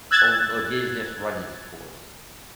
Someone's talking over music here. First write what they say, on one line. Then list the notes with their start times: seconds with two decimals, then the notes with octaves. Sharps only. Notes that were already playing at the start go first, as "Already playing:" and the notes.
oh or did it just run its course?
0.11 E6 F#6 G#6 A6